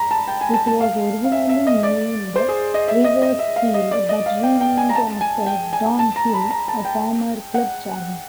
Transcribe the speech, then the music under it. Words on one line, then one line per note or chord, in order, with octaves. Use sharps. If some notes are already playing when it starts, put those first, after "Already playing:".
It was originally named Riversfield but renamed after Don Hill, a former club chairman.
Already playing: A#5 B5
A5
G5
G#5
A5
A5
F5
F5
E5
E5
D#5
D5
C5
G#4
D#5
E5
D#5
D#5
E5
F5
D#5
D5
D#5
F5
G5
G5
G#5
A#5
A5
G#5
G5
G#5
A5
A#5
B5
A#5
A5
G5
F#5